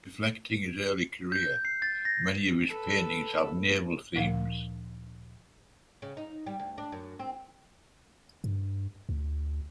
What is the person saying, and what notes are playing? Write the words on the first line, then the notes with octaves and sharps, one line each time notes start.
Reflecting his early career, many of his paintings have naval themes.
G6
C7
A6
A#6
A4 B4
D2 A#2 F3 F5
C#3
D#4
G3
D2
D4
F#2
C4
G2
D2